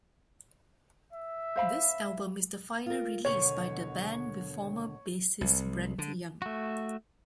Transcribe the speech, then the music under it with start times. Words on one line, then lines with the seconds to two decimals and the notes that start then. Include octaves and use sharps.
This album is the final release by the band with former bassist Brent Young.
1.13 E5
1.56 C5 F5 B5
2.86 F4 A#4
3.25 D#2 B2 D3 C#5
5.41 C2
5.98 D3
6.42 A3 F#4